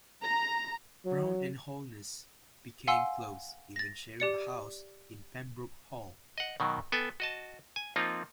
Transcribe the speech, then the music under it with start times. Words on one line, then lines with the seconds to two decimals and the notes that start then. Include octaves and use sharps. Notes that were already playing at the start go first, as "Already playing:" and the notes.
Brown and Holness became close, even sharing a house in Pembroke Hall.
0.22 A#5
1.05 F#3
2.87 F5 F#5 G#5 C6 E6
3.76 A6 A#6
4.20 G4 D5 C#7
6.38 D#5 F#5
6.60 B2 D#3 F#3
6.92 B3 A4 G5 G#5
7.20 F#4 D#5 A5
7.76 G#5
7.96 F3 A#3 C4 D#4 F4